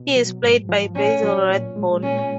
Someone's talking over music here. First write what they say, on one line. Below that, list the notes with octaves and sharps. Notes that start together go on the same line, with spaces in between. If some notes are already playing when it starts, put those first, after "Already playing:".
He is played by Basil Rathbone.
Already playing: B2
F#3
G#2
F3
A#2 C#4
F#3
A#2
G#3
A#2 C#4